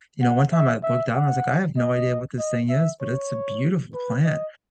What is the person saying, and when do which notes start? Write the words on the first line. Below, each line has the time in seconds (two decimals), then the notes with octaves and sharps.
you know, one time I looked down, I was like, I have no idea what this thing is, but it's a beautiful plant,
0.22 F#5
0.52 E5
0.83 E5
1.14 F#5
1.77 D#5
2.39 D#5
2.69 E5
3.01 C#5
3.94 B4
4.25 D#5